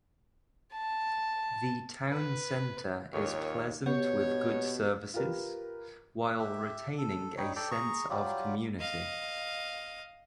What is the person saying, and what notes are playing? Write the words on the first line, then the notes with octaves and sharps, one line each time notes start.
The town centre is pleasant with good services, while retaining a sense of community.
A5
B4
D#2 A#2 C#5
B2 B3 G4 C#5
F4 G4 A#4 B4
G4 E5
A4
G3 D#4 C#5
A4 D5 G5
G#4 A#5 C#6
F#3 G3 F4 G4
D#5 F5